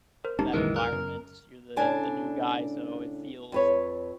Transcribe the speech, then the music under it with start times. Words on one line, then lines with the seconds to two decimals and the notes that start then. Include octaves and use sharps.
of that environment, you're the the new guy so it feels
0.25 A#4 C5
0.39 E1 G#3 C#4 D#4 G4 A5
0.54 C2 F#2 A#2 D#3 E3 G#3 A#4 B4
0.76 A#4 F#6
0.92 F#2 C#3
1.76 A2 C#3 D4 G#5 A5
3.52 F2 B4 C#5